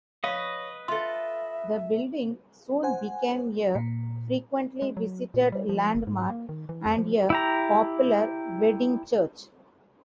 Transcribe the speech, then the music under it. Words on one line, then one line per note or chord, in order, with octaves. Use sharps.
The building soon became a frequently visited landmark and a popular wedding church.
B4 C#5 D#5 F5 C#6
F4 A4 E5 C6
C5 F#5 G#5
A#2
G#3
F#3
A#2
G3
F3
F#1
G#2
A#3
D#3
E3
F2
F3
E4 G4 A#5